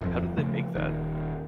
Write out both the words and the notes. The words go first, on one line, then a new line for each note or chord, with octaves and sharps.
How did they make that?
D1 F2 F3
C#3 F3 A3
D#1 D#3